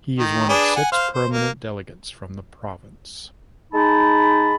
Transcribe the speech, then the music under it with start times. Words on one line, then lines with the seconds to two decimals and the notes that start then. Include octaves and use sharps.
He is one of six permanent delegates from the province.
0.19 D#3
0.49 D4 G#4 B4
0.76 F#5 G#5
0.92 C5 F5
1.13 C5
1.30 A#3
3.73 G#3 D#4 A5 B5